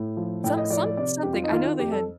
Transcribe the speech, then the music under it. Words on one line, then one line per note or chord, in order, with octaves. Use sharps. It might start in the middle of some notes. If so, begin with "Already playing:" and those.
some some something, I know they had
Already playing: A2
F3
A2 G5
D#5
F3 D5
D5
C3 D5
F2 G4
F4
D#4
D#3 F4
D#4
F4
F2 G4
A4